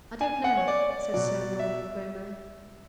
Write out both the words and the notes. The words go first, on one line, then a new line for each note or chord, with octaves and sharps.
"I don't know," said Sir Norman, gloomily.
G#5
F#5
C#5
D5
D5
B2 F#3 D5
E5